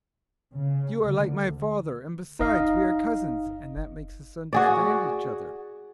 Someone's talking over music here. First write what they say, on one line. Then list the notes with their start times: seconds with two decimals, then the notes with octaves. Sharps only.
You are like my father, and besides, we are cousins, and that makes us understand each other.
0.53 C#3
1.03 D2
2.39 F#1 D#4 D#5 F5
4.53 F#4 G#4 D5